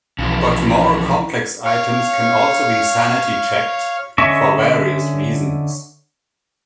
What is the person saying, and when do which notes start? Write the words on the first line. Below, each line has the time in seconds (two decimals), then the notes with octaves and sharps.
But more complex items can also be sanity-checked for various reasons.
0.19 B1 C#3 E3 F3
1.64 C#5 F5
4.18 D3 C#4 D#5 E5 C#6